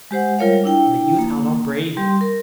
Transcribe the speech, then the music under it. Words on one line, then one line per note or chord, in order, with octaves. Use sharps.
The youth held on bravely.
G#3 G4 C5 F#5
G3 F4 A#4 C#5 F5
D4 E4 G5
A#3
G3 G4 C6
A#4